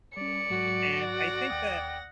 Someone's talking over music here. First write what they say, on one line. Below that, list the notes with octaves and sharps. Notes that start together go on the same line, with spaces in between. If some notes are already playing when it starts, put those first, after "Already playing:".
And I think that
G3 C#4 D5 C#7
G#2 F#3 F#4
F#5 A#6
D#2 G5 D#6